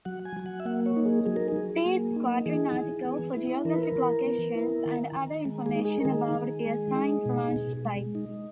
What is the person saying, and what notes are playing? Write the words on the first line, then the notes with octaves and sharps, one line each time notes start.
See squadron article for geographic locations and other information about the assigned launch sites.
F#3 F#5
G#5
F#3
F#5
E5
A#3 F#5
C#5
D#4
G#4
F#3 G#4
A#4
G#4
F#3
A#3
D#4
E3 G#4
E3
B3
E4
E3 A#4
B4
A#4
E3
B3
E4
D#3
D#3
G#3
G#4
D#4
G#4
A#4
D#3 G#4
D#3
G#3
D#4
B2
B2
G#3
D#4